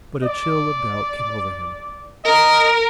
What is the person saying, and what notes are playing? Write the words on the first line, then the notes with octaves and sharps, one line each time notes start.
But a chill of doubt came over him.
D5
A#4 D#5